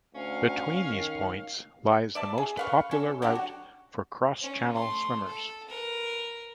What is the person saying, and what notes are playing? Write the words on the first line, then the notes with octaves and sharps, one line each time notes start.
Between these points lies the most popular route for cross-channel swimmers.
D2 C#4 F5
D#3
D5 E5 A5
G#4
B4 F5 C#6
C#4 A4
F#3 D4 F#4 G4
F#4
C#4
A3 C6
A4
A#4 B4